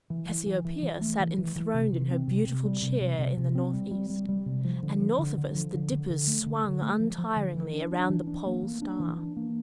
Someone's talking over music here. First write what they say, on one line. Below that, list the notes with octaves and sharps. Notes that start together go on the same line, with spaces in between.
Cassiopeia sat enthroned in her beautiful chair in the north-east; and north of us the Dippers swung untiringly around the Pole Star.
E3
E3
E3
E3
E3
A3
E3
E3
E3
C3
C3
C4
C3
C3
G3
C3
C3
C3
C3
C4
G3
G3
G3
G3
C3
F3
D3
F3
D3
D3
F3
D3
D3
D3
A3
D3
D3
A3
F3
F3
D3
E3
D4
D4
E3
D4
A#3
A#3
D4
E3
D4
A#3